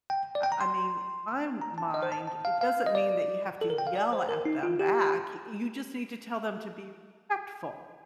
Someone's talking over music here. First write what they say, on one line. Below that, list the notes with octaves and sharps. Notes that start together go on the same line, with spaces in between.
I I mean, in my mind, it doesn't mean that you have to yell at them back. Y you just need to tell them to be respectful.
G5
D5
G5
A#5
C6
A#5
A5
D#5
C5
A5
A5
F5
F5
D#5
D5
A4
A#4
G5
F5
D5
C5
A#4
D#4
F4
G4